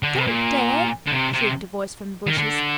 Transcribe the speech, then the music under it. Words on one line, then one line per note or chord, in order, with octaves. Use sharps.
"Don't, Dad!" shrieked a voice from the bushes.
D3
C3
A#2
D3
C3
C3
D#3
D3